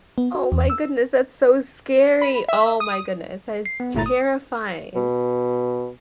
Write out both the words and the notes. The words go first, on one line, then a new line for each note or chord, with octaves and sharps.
Oh my goodness. That's so scary. Oh my goodness. That is terrifying.
B3
F#4
E2
E6
B5
E5
D#6
C7
B3
G1 A#2 A3 E4 A#5 A6
D#6
B2